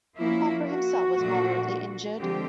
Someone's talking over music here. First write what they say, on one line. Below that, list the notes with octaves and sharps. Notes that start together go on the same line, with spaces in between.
Popper himself was moderately injured.
F3 A#3 C#4 E4
F#4
A#2 F3 A3 D4
D3 F3 G#3 C4 G4